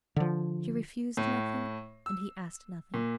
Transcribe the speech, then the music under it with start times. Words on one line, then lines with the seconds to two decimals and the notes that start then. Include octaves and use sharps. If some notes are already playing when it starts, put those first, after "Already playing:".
She refused nothing, and he asked nothing.
0.16 D3 F3
1.17 A2
2.06 E6
2.94 A#2